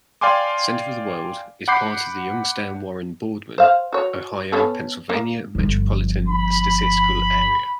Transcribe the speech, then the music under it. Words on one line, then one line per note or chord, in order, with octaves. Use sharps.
Center of the World is part of the Youngstown-Warren-Boardman, Ohio-Pennsylvania Metropolitan Statistical Area.
D5 F5 G5 G#5 C6 D6
F#5 B5 D6 G6 C7
C5 F5
F#4 C#5
B3 C#4 A4
A#3
G1 F3
B5